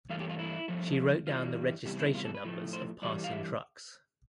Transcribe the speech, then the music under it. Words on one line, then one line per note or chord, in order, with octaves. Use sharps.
She wrote down the registration numbers of passing trucks.
G2 E3 A3 F5
G4
F4
E4
G2 F3 A3
G2 E3 G3 F4
E2 C3 G3 G4
E4
F4
A4
B4
A2 F3 A3
C5
G2 E3 G3 D5
F5
E5